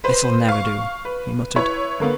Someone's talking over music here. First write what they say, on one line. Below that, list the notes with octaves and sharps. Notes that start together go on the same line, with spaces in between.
"This'll never do," he muttered.
B4 C5
F5 C#6
B4
E4 B4 C#5
D3 A#3 B3